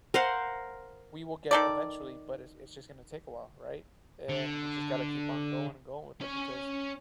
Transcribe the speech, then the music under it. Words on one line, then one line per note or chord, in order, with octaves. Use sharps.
we will get eventually, but it's it's just gonna take a while, right? And, we just gotta keep on going and going with it because
A#4 C5 F5 F#5
D#3 A4 D5
D3
C#4 C#5